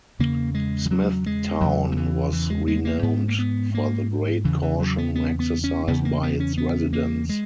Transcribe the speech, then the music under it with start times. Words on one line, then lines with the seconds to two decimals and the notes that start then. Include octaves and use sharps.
Smithtown was renowned for the great caution exercised by its residents.
0.19 E2 C#3 A#3
0.55 G#3
0.86 E3
0.91 F#3
1.26 G#3
1.61 E2 C#3 F#3
1.92 F#3
1.97 E3
2.33 E3
2.50 G#3
2.67 G#3
2.85 A#3
3.03 G#2 B3
3.28 A#3
3.39 B3
3.74 A#3
4.45 E2 C#3 E3
4.62 E3
4.80 F#3
4.98 B3
5.15 B3
5.40 B3
5.64 C#4
5.88 E2 C#3 B3
6.05 A#3
6.23 B3
6.40 C#4
6.58 B3
6.93 A#3
7.29 G#3